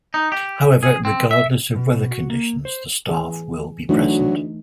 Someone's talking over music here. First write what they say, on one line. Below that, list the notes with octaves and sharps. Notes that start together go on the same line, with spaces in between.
However, regardless of weather conditions, the staff will be present.
D#4
G4
G#4
C4
E5
B2
F#4
A#3
C5
E3 G#4
D2 E3 F#3 A3 D#4